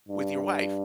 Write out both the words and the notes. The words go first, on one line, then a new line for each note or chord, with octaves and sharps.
With your wife.
G2